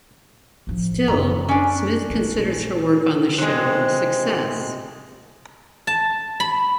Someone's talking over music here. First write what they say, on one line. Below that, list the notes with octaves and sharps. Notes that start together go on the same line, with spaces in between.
Still, Smith considers her work on the show a success.
A1 F3
F#2 A#5
C#4 D4
A#1
C3 G#3
A5
B5